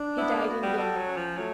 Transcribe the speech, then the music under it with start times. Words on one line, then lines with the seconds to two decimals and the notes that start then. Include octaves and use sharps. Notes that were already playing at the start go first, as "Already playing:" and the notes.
He died in Vienna.
Already playing: D4
0.18 B3 E4
0.33 A#3
0.48 F#4
0.63 G3
0.78 G3 A4
0.97 F#3
1.07 C#4
1.17 F3
1.37 F#3 A3